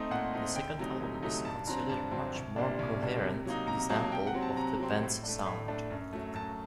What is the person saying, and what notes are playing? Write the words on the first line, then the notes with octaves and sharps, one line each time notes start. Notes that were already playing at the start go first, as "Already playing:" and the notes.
The second album is considered a much more coherent example of the band's sound.
Already playing: A3 C4 D#4 C5 D#5
A#2 F#5
A3 C4 D#4
D2 G5
C3 F#3 A3 D#4
D2
C3 F#3 A3 D#4
G2 A5
D3 F#3 C4 A#5
G2 A5
D3 F#3 C4
C2
A#2 G3 D4
C2
A#2 G3 D4
C3
F#3 A#3 D#4
C3 A#5
F#3 A#3 D#4 A5
C3 G5
F#5
F#3 C4
A5
C3 A#5
F#3 C4
A2
A3 D4
A2
A3 D4
F#2
F#3 A3
F#2 A5